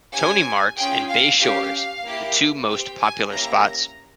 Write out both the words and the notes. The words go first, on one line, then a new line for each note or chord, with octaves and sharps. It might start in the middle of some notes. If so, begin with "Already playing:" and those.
Tony Marts and Bay Shores, the two most popular spots.
C#4 G4 G#5
C#4 F4 G#4 G5
F5
C#4 G4 F5
A#3 E4 G4
C4 G4 G5
G#5
A#3 C#4 E4 G4 A#5
A#5